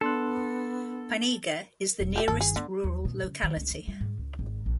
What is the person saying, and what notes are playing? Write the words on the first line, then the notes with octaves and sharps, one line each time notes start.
Pinega is the nearest rural locality.
B3 D4 A4 C6 F#6
E1
G4 G#4 E5
G1 D#3 A4
G#4
D3 B3
D#2
B2
C#3
D#3
C#2
D2
G3
G#2
C#2
G#1
A#1